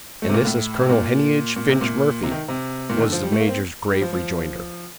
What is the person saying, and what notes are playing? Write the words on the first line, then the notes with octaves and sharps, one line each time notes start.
"And this is Colonel Heneage Finch Murphy," was the major's grave rejoinder.
A3
C3
A#2
A2
C3
A#2
A#2
C3
A#2
C3
D#3
C3
A#2
D#3
D3
F3
G3
A3
A#3
C4
G3
F3
F3